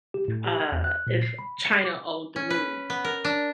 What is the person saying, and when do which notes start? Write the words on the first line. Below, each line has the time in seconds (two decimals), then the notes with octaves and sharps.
uh, if China owned the moon,
0.14 G4
0.28 A2
0.46 G4
0.60 G#6
0.72 E2
0.84 F#6
1.07 A#2
1.23 C7
1.39 B5
1.65 C#7
1.85 D6
2.36 C#4
2.50 B4
2.90 B3
3.04 A#4
3.25 D4